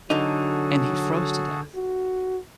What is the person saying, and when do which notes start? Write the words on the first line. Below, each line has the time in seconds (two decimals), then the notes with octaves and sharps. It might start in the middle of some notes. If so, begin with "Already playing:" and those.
and he froze to death.
0.10 D3 F#3 D#4 F#4 G#4 A4
1.76 F#4